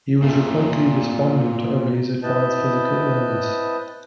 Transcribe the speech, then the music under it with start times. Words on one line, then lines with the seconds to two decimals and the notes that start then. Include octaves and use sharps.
He was reportedly despondent over his advanced physical illness.
0.22 A#2 A3
2.23 C4 E4 B4 D#5 A5 G6